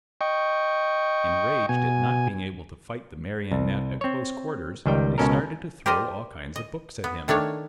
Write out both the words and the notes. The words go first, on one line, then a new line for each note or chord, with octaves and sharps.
Enraged at not being able to fight the Marionette at close quarters, they started to throw all kinds of books at him.
D#5 G5 C#6
B2 G#5
C2
C4 C#5
C#2 D#3 G3 G5
C#2 B2 C#4 A4 A#4
G4 A#4 C5 D5 D#5
D#5
B3
D#3 A3 D4 C#5 F5